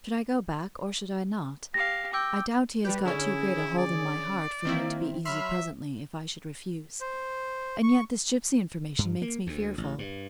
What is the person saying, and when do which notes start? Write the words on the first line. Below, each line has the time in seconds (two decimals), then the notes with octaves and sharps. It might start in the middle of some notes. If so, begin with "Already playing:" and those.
Should I go back, or should I not?--I doubt he has got too great hold in my heart, for me to be easy presently, if I should refuse: And yet this gipsy information makes me fearful.
1.74 G4 F5 A#6
2.13 G5 D6 E6 G6
2.85 G3 G4 B4
3.05 D3 C#4 E4 G#4
3.78 D5
4.65 D#3 A#3 C4 E4
5.25 F#3 E5 B5 C6 F6
7.01 C5
7.83 C#6
8.98 G2
9.22 A#3
9.47 D2
9.78 A1
9.99 G2